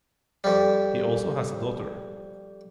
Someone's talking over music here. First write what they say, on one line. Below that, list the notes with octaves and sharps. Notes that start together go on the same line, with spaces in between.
He also has a daughter.
F2 G3